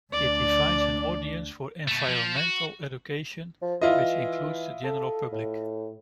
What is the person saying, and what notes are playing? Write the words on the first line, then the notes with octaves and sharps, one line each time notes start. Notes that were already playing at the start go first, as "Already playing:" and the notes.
It defines an audience for environmental education, which includes the general public.
D2 D4 D5
B2 A3
F3
F#4
F3
E3 E4 F4 D#5
A4
A2